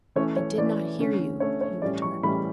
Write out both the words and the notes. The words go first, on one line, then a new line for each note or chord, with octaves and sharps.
"I did not hear you," he returned.
E3 A3 C#4 C#5
C#5
E3 A3 C#4 D5
D3 A3 C#4
D3 A3 C#4 C#5
C#5
A2 E3 G3 C#4 D5
C#6
A2 E3 G3 C#4 B5